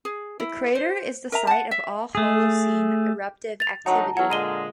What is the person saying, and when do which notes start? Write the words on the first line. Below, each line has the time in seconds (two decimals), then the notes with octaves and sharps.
This crater is the site of all Holocene eruptive activity.
0.05 G#4
0.40 E4
0.75 C5
1.32 A#4 E5 A#5
1.47 F#5 A5
1.71 E5
2.15 A3 G#4
3.60 A6 F7
3.86 D2 F#3 D#4 F#5 A5 A#5
4.17 E2 F#3 F#5 F6 G#6
4.30 A#2 D3 G#3 A#5 D#7 G7